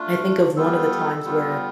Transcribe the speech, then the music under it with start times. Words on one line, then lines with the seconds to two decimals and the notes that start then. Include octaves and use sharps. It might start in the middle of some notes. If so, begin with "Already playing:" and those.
I think of one of the times where
Already playing: A3 D4 F4
0.56 G3 B3 F4 A4
1.24 G3 B3 F4